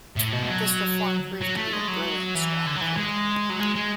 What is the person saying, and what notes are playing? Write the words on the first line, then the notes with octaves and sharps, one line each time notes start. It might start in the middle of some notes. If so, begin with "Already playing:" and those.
This reform proved to be a brilliant strategy.
A2
B2
G#3
F#3
F#3
A3
G#3
F#3
E3
D3
F#3
E3
G#3
F#3
G#3
G#3